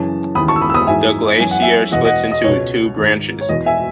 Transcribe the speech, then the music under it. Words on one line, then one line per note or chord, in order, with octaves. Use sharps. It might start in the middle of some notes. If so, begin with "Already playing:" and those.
The glacier splits into two branches.
Already playing: F#2 C#3 E3 A5
D#2 C#3 E3 B5 D#6
A5 C#6
E6
B5 D#6
E6
B5 D#6
G#2 E3 E5 G#5
F#2 E3 G#5
F#5
E5 G#5
E2 B2 D#5 F#5
D#5 F#5
D#5
C#2 B2 C#5
G#2 D#3
C#5
E2 B2 D#5
E5 G#5